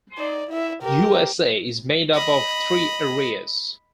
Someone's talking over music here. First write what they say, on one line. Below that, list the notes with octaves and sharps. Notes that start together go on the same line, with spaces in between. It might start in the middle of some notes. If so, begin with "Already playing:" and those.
Usa is made up of three areas.
D#4 D5
E4 E5
G4 A#4
D#5 B5